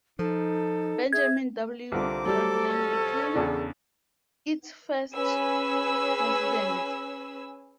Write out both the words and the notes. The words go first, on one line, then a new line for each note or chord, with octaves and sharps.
Benjamin W. Franklin became its first president.
F3 D#4 A4
G#4 E5 G#6
C2 D3 C4 F4 A#5 D6
F#3 G3 A4
F2 C#4
E2 C#3 D4
C#4 G#4 B4 G#5 E6